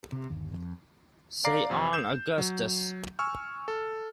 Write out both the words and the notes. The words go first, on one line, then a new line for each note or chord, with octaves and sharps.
Say on, Augustus.
C3
G1 D#2
F2
D5 F5 A#5 D6 C7
F2 C3
G6 E7
F#3
G#5 C#6 E6 F6
A4